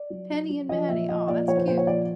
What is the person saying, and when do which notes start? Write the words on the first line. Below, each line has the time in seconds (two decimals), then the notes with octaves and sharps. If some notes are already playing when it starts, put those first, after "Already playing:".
Penny and Maddie, aw, that's cute.
Already playing: D5
0.10 F#3
0.30 F#3
0.50 F#3
0.69 F3 D#5
0.89 A#2 E5
1.09 F3 D#5
1.28 A#2 D5
1.48 F3 C#5
1.57 C5
1.67 A#2 C5
1.78 C#5
1.87 F3 D5